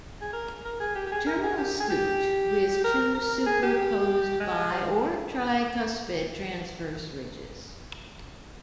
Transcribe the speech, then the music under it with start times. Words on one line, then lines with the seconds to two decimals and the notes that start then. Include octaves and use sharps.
Terminal scute with two superposed bi- or tricuspid transverse ridges.
0.22 G#4
0.33 A#4
0.65 A#4
0.80 G#4
0.95 G4
1.07 G4
1.12 G#4
1.27 A#4
1.43 G#4
1.58 G4
1.80 G#4
1.90 G4
2.84 A#4
3.15 A#4
3.46 G#4
3.63 G4
4.40 G#3
4.72 F3